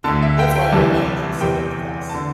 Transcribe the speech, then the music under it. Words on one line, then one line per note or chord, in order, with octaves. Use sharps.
That's why I'm an angel Second Class.
D2 D3 A5
E5
G5
G5
C2 C3 E3 A5
E2 C3 E3 G5
D3 A5